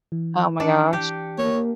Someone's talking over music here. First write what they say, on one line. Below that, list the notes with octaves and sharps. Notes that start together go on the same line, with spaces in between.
Oh my gosh.
E3
E3 D4 C#7
G4
A#3 C#5